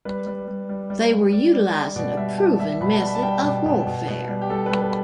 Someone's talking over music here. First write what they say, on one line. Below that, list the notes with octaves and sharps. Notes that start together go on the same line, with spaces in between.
They were utilizing a proven method of warfare.
G3 B4
G3
G3
G3
G3
G3
G3 D5
G3
G3
B2 D5
G3 E5
G3 A5
G3 E5
B2 B5
A5
G3 B5
A5
G3 G5
B2
B2
B2
B2
G3
G4
G3 A4
B4
G3
B4